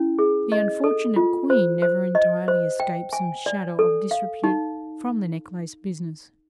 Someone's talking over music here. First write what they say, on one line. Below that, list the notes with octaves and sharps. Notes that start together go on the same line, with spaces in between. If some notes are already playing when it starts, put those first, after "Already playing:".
The unfortunate Queen never entirely escaped some shadow of disrepute from the necklace business.
Already playing: C#4 E4
G#4
D#5
A4
F4
C5
C5
D#5
C5
G5
G#5
D5
A4
F5
D#4